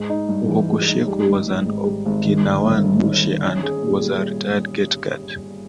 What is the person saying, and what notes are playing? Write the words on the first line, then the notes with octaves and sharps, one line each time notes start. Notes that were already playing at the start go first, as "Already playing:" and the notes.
Uhugushiku was an Okinawan bushi and was a retired gate guard.
Already playing: G#2 G#3
D#4
G2
E3
G#3
D#4
G3
G#1
G#1
G#2
G3
G#1
D#3
G1
G1
G2
D#3
G1
C#4
G#4
A#2
G3